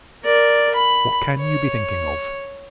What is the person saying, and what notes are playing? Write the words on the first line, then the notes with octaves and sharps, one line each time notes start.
What can you be thinking of?
A#4 D5
B5
C#5